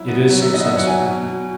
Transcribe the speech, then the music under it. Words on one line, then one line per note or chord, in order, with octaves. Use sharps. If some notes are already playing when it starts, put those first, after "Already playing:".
It is successful.
Already playing: F#3 E4
B3
F#3
E5
B3 D#5
E5
F#3 F#5
G#5
B2
B2